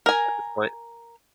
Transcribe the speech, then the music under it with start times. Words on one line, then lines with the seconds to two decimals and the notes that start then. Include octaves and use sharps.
at this point?
0.06 A#4 G#5